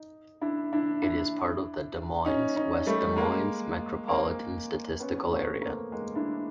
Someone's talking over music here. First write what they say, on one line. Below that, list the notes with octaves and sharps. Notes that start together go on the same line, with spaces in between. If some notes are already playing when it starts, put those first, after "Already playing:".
It is part of the Des Moines - West Des Moines Metropolitan Statistical Area.
Already playing: D#4
D4 E4
D4 E4
D4 E4
C#4 D#4
C#4 D#4
G3 A3
G#3 A#3
A#3 C4
B3 C#4
A3 B3
A#3 C4
G#3 A#3
D4 E4